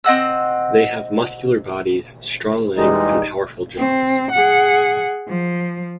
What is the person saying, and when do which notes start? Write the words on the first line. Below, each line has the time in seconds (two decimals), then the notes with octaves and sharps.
They have muscular bodies, strong legs, and powerful jaws.
0.04 C4 D#5 F#5 E6
2.77 E2 A#2 G3 G#3 D#4
3.78 C4
4.32 G#4 F#5
5.28 F3